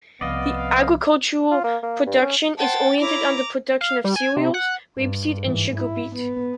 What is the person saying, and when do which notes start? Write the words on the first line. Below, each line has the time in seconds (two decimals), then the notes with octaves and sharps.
The agricultural production is oriented on the production of cereals, rapeseed and sugar beet.
0.21 C2 F3 B3 D5 D#5 F5
1.51 F4
1.64 A#3
1.83 A#3
2.06 G2
2.22 C#4
2.58 C5 F#5 G5 A5 A6
3.00 E4 C#5 A#5 D6
3.81 F5
4.04 G3
4.16 G#5
4.36 C3
4.54 F#5
4.97 G2
5.44 G#2 E3
5.78 E4
6.16 B3